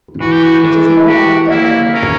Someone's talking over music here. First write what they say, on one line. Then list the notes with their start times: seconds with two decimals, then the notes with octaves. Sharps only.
It is north of Denton.
0.20 E3 F#4
0.32 G4
0.43 F#4
0.64 E3 D4
1.08 F#4 G4
1.51 A#3 E4
1.94 C#4 A#4